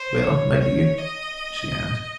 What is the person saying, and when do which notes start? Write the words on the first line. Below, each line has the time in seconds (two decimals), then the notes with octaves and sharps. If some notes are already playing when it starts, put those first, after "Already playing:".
"Well, my dear?" she asked.
Already playing: C5
0.24 C#5
0.60 C#5
0.98 D#5